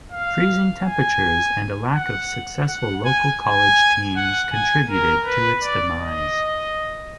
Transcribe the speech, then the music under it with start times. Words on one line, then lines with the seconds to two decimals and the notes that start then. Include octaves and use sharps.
Freezing temperatures and a lack of successful local college teams contributed to its demise.
0.12 F5
0.85 G#5
1.96 F#5
2.69 F#5
3.05 G#5
3.43 G#5
4.16 F#5
4.52 G#5
4.90 A#4
5.26 B4
5.63 D5
6.00 D#5